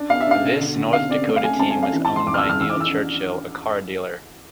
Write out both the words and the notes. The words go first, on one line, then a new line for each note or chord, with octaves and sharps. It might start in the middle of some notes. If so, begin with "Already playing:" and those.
This North Dakota team was owned by Neil Churchill, a car dealer.
Already playing: D4
B3 F5
E5
D4 F5
B2
D3
D3
C4 F5
C4 D5
A3
F5
A3 G#5
C4 A5
G#5
C4
F5
E3
A5
F2
C6
F2 D6
F6
E6
F2
F6
E3 E6
D6
E3 E6
D4